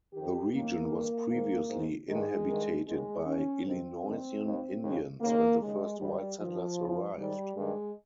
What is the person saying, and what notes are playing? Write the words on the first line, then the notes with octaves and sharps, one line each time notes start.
The region was previously inhabited by Illinoisan Indians when the first white settlers arrived.
F2 D#3 G4
D#2 D#3 A#3
G2 D#3
G#2 D#3
G#2 D#3
G2 D#3 G#3
G2 D#3
D#2 D#3 G#3
D#2 D#3 C#4
F2 C3 D#3 C4
G2 D#3
D#2 D#3
D#2 C#3
D#2 C#3 A#3
D#2 C#3 G#3
G#2 D#3 G3
G2 D#3 F3
D#2 C#3
G#2 D#3 G3
G2 D#3 G#3